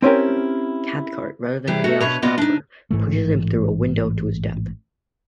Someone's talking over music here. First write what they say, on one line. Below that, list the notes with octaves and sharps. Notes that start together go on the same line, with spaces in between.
Cathcart, rather than pay off Stauffer, pushes him through a window to his death.
C4 C#4 E4 G4 A#4
C3 E3 G3 G4 G#4
A3 F#4 A4 A#4
D2 B2 B4 C#5
A#3 B3 F4 F#4 D5 D#5
D4 D#4
A1 G#2 E3 A3